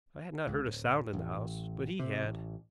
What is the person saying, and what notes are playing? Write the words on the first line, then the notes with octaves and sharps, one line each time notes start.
I had not heard a sound in the house, but he had.
C#2
D1
A1
C3
A1